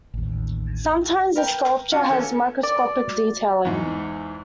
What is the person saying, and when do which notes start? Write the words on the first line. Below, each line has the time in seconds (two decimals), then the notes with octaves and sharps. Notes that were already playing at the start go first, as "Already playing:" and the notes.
Sometimes the sculpture has microscopic detailing.
0.14 A1 D#2
1.36 A#4 B4 G5
1.92 C#4 F4 F#4
2.10 E2 B3 C#4 A4
2.63 D5
3.65 E2 G#2